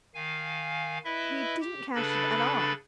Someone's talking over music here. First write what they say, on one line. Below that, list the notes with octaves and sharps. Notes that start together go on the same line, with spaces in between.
He didn't cash it at all.'
D#3 F5 G#5
E4 B4 D#5 E5
G4
C#3 D4 A4 B4 B5 A6